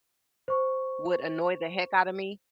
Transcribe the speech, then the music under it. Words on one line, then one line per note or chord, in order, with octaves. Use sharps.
would annoy the heck out of me.
C5 C#6